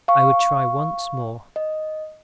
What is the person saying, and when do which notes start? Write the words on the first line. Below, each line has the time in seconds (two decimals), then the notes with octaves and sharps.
I would try once more.
0.08 F5 C#6
1.56 D#5